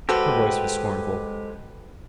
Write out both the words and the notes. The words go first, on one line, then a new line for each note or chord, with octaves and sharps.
Her voice was scornful.
G#3 F#4 G4 A4 B4 C5 G5